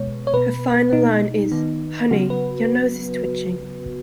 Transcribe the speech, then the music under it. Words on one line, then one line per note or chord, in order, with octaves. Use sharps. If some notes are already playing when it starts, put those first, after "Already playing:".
Her final line is "Honey, your nose is twitching".
Already playing: B2 G#3 B3 C#5
C#5
B2 B3 B4
B2 B3 D#4
D#3 B3
C#3 F#3 B3 F#4
B4